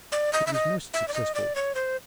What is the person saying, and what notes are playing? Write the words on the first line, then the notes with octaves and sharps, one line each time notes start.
It was most successful.
D5
D#5
E5
D#5
E5
D5
D#5
D5
C#5
C5